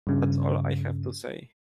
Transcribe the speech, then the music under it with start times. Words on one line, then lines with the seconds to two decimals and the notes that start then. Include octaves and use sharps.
That's all I have to say.
0.07 G2 C#3